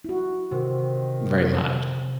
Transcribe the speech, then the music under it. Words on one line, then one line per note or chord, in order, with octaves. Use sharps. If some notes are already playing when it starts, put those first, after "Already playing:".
very much.
E4 F#4
C3 D#3 F#4